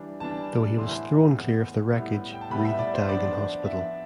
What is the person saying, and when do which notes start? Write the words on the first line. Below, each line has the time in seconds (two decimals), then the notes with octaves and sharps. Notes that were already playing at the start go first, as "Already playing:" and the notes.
Though he was thrown clear of the wreckage, Reid died in hospital.
Already playing: E3 G3 D4
0.20 E3 G3 D4 A5
0.78 A2 E3 B3 E4 C6
1.36 A2 E3 B3 E4
1.93 A2 G3 B3 E4
2.33 G5
2.41 A5
2.50 A2 G3 B3 E4 B5
2.65 E5
2.79 D5
2.94 C5
3.09 F3 B3 D4 D5
3.65 F3 B3 D4 E5